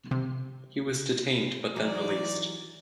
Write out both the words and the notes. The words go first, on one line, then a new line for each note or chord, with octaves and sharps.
He was detained, but then released.
C3
E3 F#3 D#4 D5